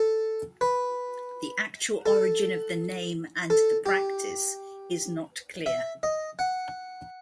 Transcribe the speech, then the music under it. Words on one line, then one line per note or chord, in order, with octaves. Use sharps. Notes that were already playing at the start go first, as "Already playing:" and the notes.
The actual origin of the name and the practice is not clear.
Already playing: A4
B4
A4
A4
G4
E5
D#5
F#5